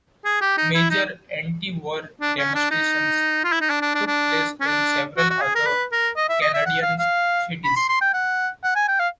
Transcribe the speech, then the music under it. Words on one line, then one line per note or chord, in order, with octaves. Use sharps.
Major anti-war demonstrations took place in several other Canadian cities.
G#4
G4
D#4
E4
D#4
D4
C#4
D4
D#4
F4
E4
D#4
D4
D4
D4
D4
C#4
D4
F#4
F#4
G#4
A#4
B4
A#4
D#5
E5
D#5
E5
F#5
F5
F5
B5
C6
C6
G5
F#5
F#5
G#5
G5
F5